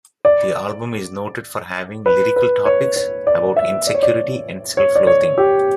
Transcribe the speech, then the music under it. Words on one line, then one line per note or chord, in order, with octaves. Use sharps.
The album is noted for having lyrical topics about insecurity and self-loathing.
D5
B4
B4
C#5
C#5
D5
E5
D5
C#5
D5
C#5
D5
C#5
G4